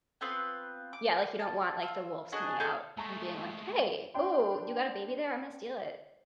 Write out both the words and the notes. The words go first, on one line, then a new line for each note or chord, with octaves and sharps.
yeah, like, you don't want, like, the wolves coming out and being like, "Hey. Ooh, you got a baby there? I'm gonna steal it."
B3 C4 F4 B4
D6
A5
F4 E6
D4 F#4 G#4 D#5
D4 D#4 G#4 A4
G#3 A3 G#5 A5 C#6
D4 G5 C6